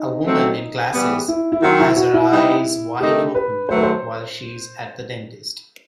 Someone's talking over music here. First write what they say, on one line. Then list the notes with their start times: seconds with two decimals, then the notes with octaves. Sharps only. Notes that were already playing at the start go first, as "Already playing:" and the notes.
A woman in glasses has her eyes wide open while she is at the dentist.
Already playing: D#4
0.25 B2 F#3 A3 C4
0.94 E3 G3 B3
1.28 E4
1.52 E4
1.63 D#3 F#3 C4 F#4
1.80 E4
1.97 F#4
2.14 E4
2.31 G3 B3 D#4
3.00 C3 D#3 A3 D#4 G4
3.35 B4
3.69 D#3 F#3 A3 C5
3.76 B4
3.83 C5